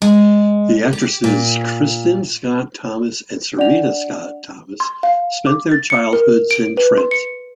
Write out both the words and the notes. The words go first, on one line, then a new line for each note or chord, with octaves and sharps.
The actresses Kristin Scott Thomas and Serena Scott Thomas spent their childhoods in Trent.
G#3
G4
A#2
D4 D5 F#5 F7
C6
F5
D6
A6
C#7
A#4
D7
B4
C6
C#7